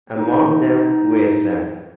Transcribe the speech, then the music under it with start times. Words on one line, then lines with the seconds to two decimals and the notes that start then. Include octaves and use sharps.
Among them were Sen.
0.17 D#4